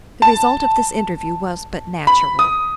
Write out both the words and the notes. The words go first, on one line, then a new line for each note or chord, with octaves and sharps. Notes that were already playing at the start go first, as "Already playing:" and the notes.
The result of this interview was but natural.
A5
B5
D#6